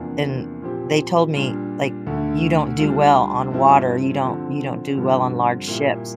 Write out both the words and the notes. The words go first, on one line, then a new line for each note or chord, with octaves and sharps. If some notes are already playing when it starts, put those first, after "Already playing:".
and they told me, like, "You don't do well on water, you don't you don't do well on large ships."
Already playing: E2 C3 F3 A#3 D4
A#2 F3 C4 G4
A#2 G3 D4 F4
D2 D3 A3
D3 G3 D4 F4
G2 F3 C4 E4 G4
D3 F3 C4
G2 D3 F3 C4 G4
A#2 G3 A#3 E4 G4